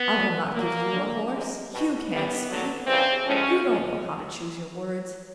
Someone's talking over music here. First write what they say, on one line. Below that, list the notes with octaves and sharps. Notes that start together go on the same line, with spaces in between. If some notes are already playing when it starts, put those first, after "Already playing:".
'I will not give you a horse. YOU can't speak; YOU don't know how to choose your words.
Already playing: B3
D3 F#3
A#2 F#3 A#3
D3 F3 G#3
C3 E3 G#3
B2 G3
A2 E3 G3 B3
D3 F#3
C#3 E3 G3 C4
A2 F3 G#3 C#4
A2 F3 G#3